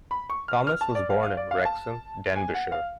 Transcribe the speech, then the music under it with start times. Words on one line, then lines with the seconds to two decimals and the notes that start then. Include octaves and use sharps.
Thomas was born in Wrexham, Denbighshire.
0.11 B5
0.30 C#6
0.48 F6
0.67 F6
0.81 A5
0.95 D5
1.10 F5
1.23 F5
1.37 D5
1.51 F5
1.65 A5
2.36 G#5
2.54 F#5
2.72 F5